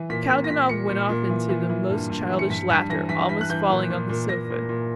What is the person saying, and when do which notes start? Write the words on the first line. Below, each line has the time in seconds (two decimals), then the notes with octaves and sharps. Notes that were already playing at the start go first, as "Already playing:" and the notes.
Kalganov went off into the most childish laughter, almost falling on the sofa.
Already playing: E3
0.10 A#2 B6
0.29 A#2 B6
0.44 A#6
0.50 A#2 B6
0.69 A#2 C#7
0.89 A#2
1.09 A#2
1.29 E3
1.49 E3
1.69 E3
1.90 G2
2.10 G2
2.30 E3
2.39 C#7
2.50 G2 B6
2.69 G2 B6
2.90 E3 A#6
3.09 E3 B6
3.29 E3 B6
3.41 F#6
3.50 E3 G6
3.70 A#2
3.90 A#2
4.09 A#2
4.29 A#2 A#6
4.50 A#2
4.69 A#2